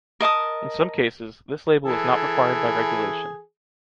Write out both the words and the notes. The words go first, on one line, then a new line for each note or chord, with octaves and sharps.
In some cases,this label is not required by regulation.
A#4 D#5 A5 D#6
E3 G#4 A4